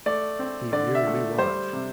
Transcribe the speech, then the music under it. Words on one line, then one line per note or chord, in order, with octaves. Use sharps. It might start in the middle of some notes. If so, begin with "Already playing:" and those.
He merely watched.
A3 D5
C4
D3 D5
E5
A3
G3 C5
C3